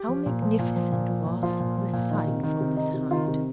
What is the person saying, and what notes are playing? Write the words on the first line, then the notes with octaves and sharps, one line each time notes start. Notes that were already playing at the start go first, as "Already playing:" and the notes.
How magnificent was the sight from this height!
Already playing: G4
F3
A#2
F3
A#2
F3
A#2
F3
A#2
F3 F4
A#2
F3
A#2
D#3
C3
D#3
C3
D#3 D#4
C3
D#3 F4
C3